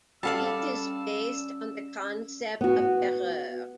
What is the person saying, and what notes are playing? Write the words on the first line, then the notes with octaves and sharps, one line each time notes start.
It is based on the concept of "terroir".
G3 C#4 A4 D5 F5 A5 E6
B3 F#4